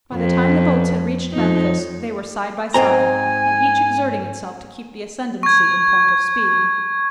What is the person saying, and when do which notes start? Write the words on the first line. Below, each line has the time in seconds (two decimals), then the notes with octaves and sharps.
By the time the boats had reached Memphis, they were side by side, and each exerting itself to keep the ascendancy in point of speed.
0.14 F2
1.33 F2 D#4
2.74 G#2 C4 G#5 A#5
5.43 C#6 G#6